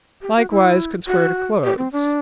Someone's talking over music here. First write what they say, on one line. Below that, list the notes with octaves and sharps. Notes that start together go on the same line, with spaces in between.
Likewise could swear to clothes.
G4
F#4
E4
F#4
G4
C4
D4